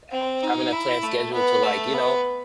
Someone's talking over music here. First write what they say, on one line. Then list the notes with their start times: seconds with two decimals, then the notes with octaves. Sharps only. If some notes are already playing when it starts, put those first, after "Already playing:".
Ha having a planned schedule to, like, you know,
0.12 C4
0.43 D#4
0.73 E4
1.03 A3
1.33 B3
1.63 A3
1.94 B3